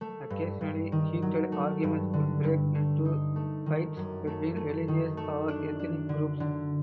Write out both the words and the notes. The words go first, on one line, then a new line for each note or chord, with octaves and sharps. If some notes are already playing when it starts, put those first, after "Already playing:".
Occasionally heated arguments would break into fights between religious or ethnic groups.
A3
G2
G2
D#3
F#3
A3
G2
D3
G2
A3
D#4
A3
D#3
F#2
A3
A3
D#3
A3
D4
D4
D3
D3